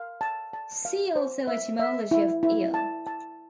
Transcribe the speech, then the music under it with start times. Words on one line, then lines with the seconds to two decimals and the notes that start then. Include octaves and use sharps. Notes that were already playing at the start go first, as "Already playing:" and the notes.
See also Etymology of eel.
Already playing: F5
0.21 A5
0.53 A5
0.85 F5
1.16 C5
1.47 E5
1.79 E5
2.11 E4
2.43 E4
2.74 A5
3.07 A5